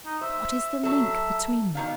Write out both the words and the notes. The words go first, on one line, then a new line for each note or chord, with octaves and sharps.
What is the link between them?
D#4
C5 E5
F#3 A4 E5
B2 D#3 F5